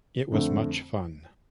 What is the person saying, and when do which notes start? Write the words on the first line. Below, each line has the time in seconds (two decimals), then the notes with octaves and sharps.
It was much fun.
0.32 F2 D3 A3